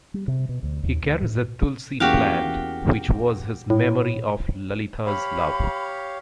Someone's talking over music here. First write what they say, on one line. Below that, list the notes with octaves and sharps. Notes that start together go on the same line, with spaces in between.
He carries a tulsi plant which was his memory of Lalitha's love.
G3
C3
B2
D2
D#2
D2
A2
E2 A#3 C#4 F#4 G4 F5
A2
G4 C#5 F5 B5